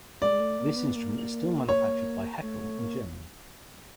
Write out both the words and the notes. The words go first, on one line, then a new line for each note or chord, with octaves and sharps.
This instrument is still manufactured by Heckel in Germany.
G#3 D5
G#3
A3
A#3
B3
A#3
C#5
A3
A3
A#3